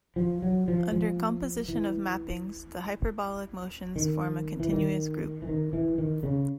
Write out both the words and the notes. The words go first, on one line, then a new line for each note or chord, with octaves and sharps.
Under composition of mappings, the hyperbolic motions form a continuous group.
F3
F#3
F3
F3
E3
D#3
E3
D#3
E3
D#3
E3
D#3
C#3